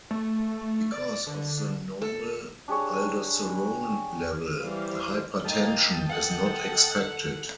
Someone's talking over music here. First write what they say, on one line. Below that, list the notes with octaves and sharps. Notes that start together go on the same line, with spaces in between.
Because of the normal aldosterone level, hypertension is not expected.
A3
D5
D3
A4
D4 G4 G#4 C#5
E3 G3 C5 F5
A3 A#3 D#4 D#5 F5 G5 A5
A4 F5 F#5